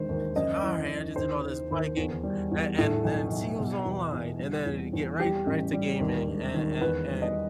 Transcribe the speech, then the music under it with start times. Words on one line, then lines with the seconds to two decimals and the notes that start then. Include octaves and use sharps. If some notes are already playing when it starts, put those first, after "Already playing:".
said, "Alright, I just did all this biking." And and then see who's online and then get right right to gaming a a and,
Already playing: E1 D#3 C5
0.09 D#2
0.36 F#2 D#5
0.63 E3
0.89 E3
1.16 D#2 C5
1.43 D#3
1.71 D#2
1.97 E2
2.23 G3
2.51 E2
2.78 A2 A4
3.05 B1
3.31 B1
3.58 B2
3.85 E2
4.12 E2
4.39 G3
4.66 E2
4.93 E2
5.19 G3 G4
5.46 A1
5.73 G3
6.00 D#2
6.27 E1
6.54 D#3
6.81 E2 B4
7.07 G3
7.22 D#5